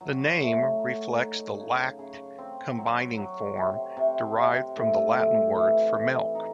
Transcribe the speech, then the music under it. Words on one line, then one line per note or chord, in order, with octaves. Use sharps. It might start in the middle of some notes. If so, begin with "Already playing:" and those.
The name reflects the "lact-" combining form derived from the Latin word for milk.
F#3
A3
F#3
D#4
C#3
C#3
C4
F#3
F#3
C3
C3
C3
A2
A2
E3
E3
D#4